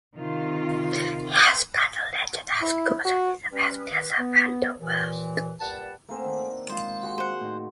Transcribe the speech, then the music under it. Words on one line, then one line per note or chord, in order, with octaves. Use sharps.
He has taught and lectured at schools and universities around the world.
C3 D#3 F4
E4
F#4
G3 C#4 B4
E2 D#3 B4
B3
D#2 A#2 E3
A#2 G3 B4 F#5 A5
A3 A#3 C4 G#4 F#5
D#3 D4
G#3 F4 C5
F#4 G#4 C6
C5 F#5
A2 D#4